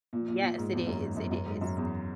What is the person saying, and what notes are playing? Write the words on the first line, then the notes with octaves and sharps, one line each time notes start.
Yes, it is, it is.
A#2
A#2
A#2
G#2
E2
F#2
G#2
F#2
F#2
G#2
F#2
E2